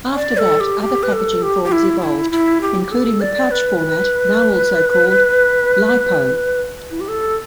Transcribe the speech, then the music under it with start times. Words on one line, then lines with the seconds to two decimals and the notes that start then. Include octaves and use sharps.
After that, other packaging forms evolved, including the pouch format now also called "LiPo".
0.15 D5
0.38 A4
0.60 G4
0.82 G4
1.03 B4
1.13 A4
1.42 G4
1.64 G4
1.72 E4
2.01 E4
2.32 E4
2.62 G4
2.92 A4
3.21 D5
3.51 B4
6.91 E4
7.00 G4
7.08 A4